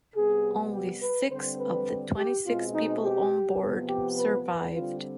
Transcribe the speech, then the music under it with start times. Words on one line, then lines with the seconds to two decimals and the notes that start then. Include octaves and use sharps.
Only six of the twenty-six people on board survived.
0.14 C3 G3 B3 G#4
0.72 G4
1.01 B4
1.30 D3 G3 C4 C5
1.58 B4
2.16 G4
2.45 B2 G#3 C4 F4
2.74 D#4
3.02 G4
3.60 C3 F3 B3
3.89 G4
4.18 B4
4.46 B4
4.75 D3 G3 C4 F4